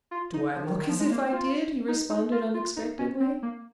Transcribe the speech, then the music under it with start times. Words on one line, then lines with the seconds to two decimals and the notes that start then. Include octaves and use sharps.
"Do I look as if I did?" he responded unexpectedly.
0.11 F4
0.34 D#4
0.56 F3
0.67 D#3
0.78 D#3
0.89 F3
1.00 G#3
1.11 A#3
1.22 C4
1.32 F4
1.88 D#4
2.10 D#4
2.32 F4
2.54 F4
2.76 D#4
2.99 C#4
3.20 C4
3.43 A#3